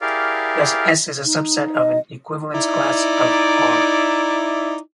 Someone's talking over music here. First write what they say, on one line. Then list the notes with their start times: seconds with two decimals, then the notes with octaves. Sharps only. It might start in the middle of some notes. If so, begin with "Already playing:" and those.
Thus, "S" is a subset of an equivalence class of "R".
0.01 E4 G4 G#4 A#4 D5 F5
1.25 D#4
1.76 D#5
2.53 D#4 E4 D5